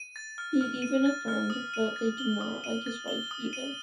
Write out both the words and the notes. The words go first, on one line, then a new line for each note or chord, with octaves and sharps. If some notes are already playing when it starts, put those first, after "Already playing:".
He even affirmed that they did not like his wife either.
Already playing: D#7
A6
F6
F6
D#7
A6
F6
D#6
D#7
A6
G7
D#6
D#7
A6
G7
D#6
D#7